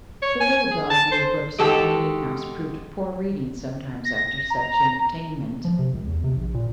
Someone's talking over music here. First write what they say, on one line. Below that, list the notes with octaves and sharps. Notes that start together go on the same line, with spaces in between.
The little dog-eared books in the meeting-house proved poor reading sometimes after such entertainment.
C#5
G#5
G#4
A5
C5
G#3 F#4 G4 A4
A#6
A#5
F3
C3
C#2
E2
C3
A#1
A#2